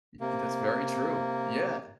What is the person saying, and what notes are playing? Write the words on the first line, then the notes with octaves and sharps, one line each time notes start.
Y y that's very true, yeah.
C3 A#3